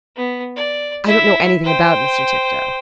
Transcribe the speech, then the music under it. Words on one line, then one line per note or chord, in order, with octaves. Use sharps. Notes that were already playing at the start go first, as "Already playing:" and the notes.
"I don't know anything about Mr. Tifto."
B3
D5
E4 E5
C5 G5